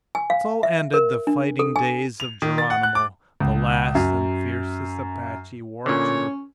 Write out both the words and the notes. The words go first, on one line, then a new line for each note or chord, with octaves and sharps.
So ended the fighting days of Geronimo, the last and fiercest Apache war chief.
G#5
F5
E5
A#4
D4
A4
G#5
F7
D#3
A6
F#5
F#6
D6
C#2
F#2
A#2 D3 C#4 C#5